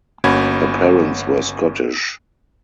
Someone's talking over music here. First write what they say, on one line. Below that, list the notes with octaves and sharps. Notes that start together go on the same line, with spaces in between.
Her parents were Scottish.
G1 A#3 C#4 F#4 B5 G#6